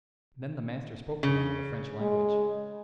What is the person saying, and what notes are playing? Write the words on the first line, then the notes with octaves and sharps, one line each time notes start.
And then the master spoke to them of the French language.
C#3
G#3